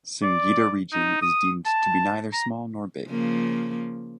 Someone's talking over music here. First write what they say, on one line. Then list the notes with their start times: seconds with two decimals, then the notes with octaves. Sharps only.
Singida region is deemed to be neither small nor big.
0.23 D5
0.93 D#4
1.22 D#6
1.66 A5
2.33 A#5
3.07 C#3 F3 A#3